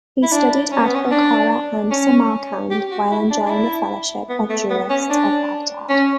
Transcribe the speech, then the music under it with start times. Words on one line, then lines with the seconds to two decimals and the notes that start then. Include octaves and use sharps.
He studied at Bukhara and Samarkand while enjoying the fellowship of jurists of Baghdad.
0.23 E4
0.32 D4
0.72 C#4
0.84 B3
0.95 C#4
1.11 D4
1.91 C#4
2.71 G4
2.91 F#4
3.11 E4
3.30 D4
3.46 D4
3.50 E4
4.29 B3
4.50 A3
4.70 B3
4.90 C#4
5.10 D4
5.89 C#4